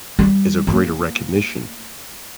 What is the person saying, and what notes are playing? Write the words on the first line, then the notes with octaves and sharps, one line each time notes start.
is of greater recognition.
G3
A#3